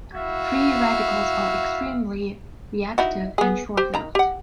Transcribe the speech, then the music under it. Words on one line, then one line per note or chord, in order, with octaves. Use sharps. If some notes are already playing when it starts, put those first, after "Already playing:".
Free radicals are extremely reactive and short-lived.
E4 F#4 E5 F5
D#4 E4 F#4
B3 G#4
G4 C5
D#3 A#5 B5
G4 F#5